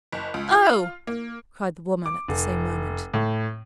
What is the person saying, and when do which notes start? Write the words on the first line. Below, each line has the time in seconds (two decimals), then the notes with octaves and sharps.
"Oh!" cried the woman at the same moment.
0.12 F#1
0.34 C#2
0.51 F4
1.07 A#3
2.06 D6
2.28 F1
3.14 A2